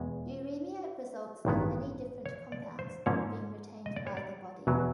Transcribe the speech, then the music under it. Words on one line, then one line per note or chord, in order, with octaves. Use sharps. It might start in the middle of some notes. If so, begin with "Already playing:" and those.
Uremia results in many different compounds being retained by the body.
Already playing: E2 B2 G#3
A1 G2 D#3 G#3 B3
C#5
D5
C5
G#2 F3 A#3 C#4 C#5
D#5
D5
C#5
D5
E2 B2 F#3